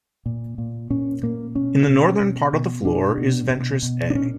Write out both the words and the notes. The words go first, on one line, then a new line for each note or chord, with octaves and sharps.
In the northern part of the floor is Ventris A.
A#2
A#2
A#2 C#4
A#2 A#3
B2 C#4
B2
B2
B2
B2 D4
B2
B2
B2
D4
A#2 C#4